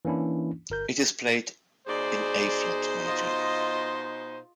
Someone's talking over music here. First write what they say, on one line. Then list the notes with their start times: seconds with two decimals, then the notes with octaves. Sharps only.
It is played in A-flat major.
0.05 E3 A#3 C#4 D4 E4
0.70 G1 A#4 G6
1.87 B2 D#4 G#4 C5 D5
3.06 F4 D#5